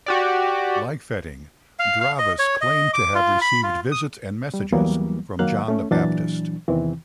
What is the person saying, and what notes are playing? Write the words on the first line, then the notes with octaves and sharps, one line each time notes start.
Like Fetting, Draves claimed to have received visits and messages from John the Baptist.
F#4 G4 D5
F5
F5
D#5
C#5
D#5
D6
F4
B5
F4
D#6
G3
E2 E3 F#3 G3 A#3 B3
D#3 F#3 A#3 F5 F#6
A3 C#4
A#2 E3 F#3 D4 A6
E2 C3 D#3 E3 C4